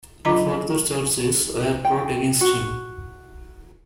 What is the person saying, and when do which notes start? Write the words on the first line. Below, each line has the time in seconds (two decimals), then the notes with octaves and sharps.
No further charges were brought against him.
0.25 F#3 F4 D#5 A#5 B5
1.85 G5
2.41 F#4